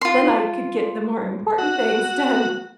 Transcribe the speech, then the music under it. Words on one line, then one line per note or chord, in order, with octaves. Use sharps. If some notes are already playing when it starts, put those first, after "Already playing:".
then I could get the more important things done
F4 C6
F#4